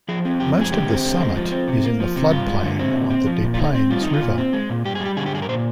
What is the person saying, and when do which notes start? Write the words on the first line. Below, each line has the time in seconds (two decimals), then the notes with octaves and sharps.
Most of "Summit" is in the floodplain of the Des Plaines River.
0.08 F3 G#4
0.25 C4
0.40 F2 G4
0.57 G#3 G#4
0.72 D3 G4
0.89 C4
1.05 D3
1.21 G#3
1.35 F3
1.52 C4
1.68 C3
1.84 A#3
2.00 F3
2.16 C3
2.31 G2 F4
2.47 G#3
2.63 D3
2.79 C4
2.95 A#2
3.10 C4
3.26 F3
3.43 A#2
3.54 F4
3.59 D3 D#4
3.75 C4
3.90 G3 F4
4.02 D3 D#4
4.14 F4
4.22 A#2
4.38 C4
4.53 G#3
4.70 A#2
4.85 G2 G4
4.95 G#4
5.01 G3 G4
5.17 D3 G#4
5.26 G4
5.33 G2 G#4
5.42 A#4
5.49 A#2 C5